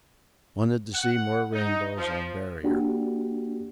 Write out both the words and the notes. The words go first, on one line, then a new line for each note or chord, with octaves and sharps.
Wanted to see more rainbows on Barrier.
F#5
D#4
F3
A#3 D4 F#4 G4